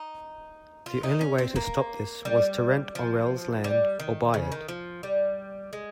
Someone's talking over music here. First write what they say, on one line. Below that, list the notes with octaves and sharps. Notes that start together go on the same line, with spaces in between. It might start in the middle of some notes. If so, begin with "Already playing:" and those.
The only way to stop this was to rent Orrell's land or buy it.
Already playing: D#4
F4
D#4
C#4
C4
A#3
G3
F3
G3
D#3
C#3
D#3
F3
G3
G#3